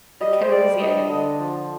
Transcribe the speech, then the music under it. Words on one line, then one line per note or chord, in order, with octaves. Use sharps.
The cozy. I get the
G3 D#5
C5
G3 D5
D4 D#5
D3
F3